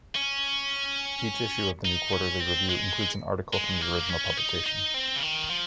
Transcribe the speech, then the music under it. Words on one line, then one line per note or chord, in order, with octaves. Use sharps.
Each issue of the new "Quarterly Review" includes an article from the original publication.
C#4
D#4
C#4
C4
G#3
G#3
A#3
C#4
D#4
D#4
C4
C#3
D#3
F3